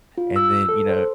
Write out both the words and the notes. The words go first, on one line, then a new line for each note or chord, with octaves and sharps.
and then, you know, uh,
F4
E6
A4
C5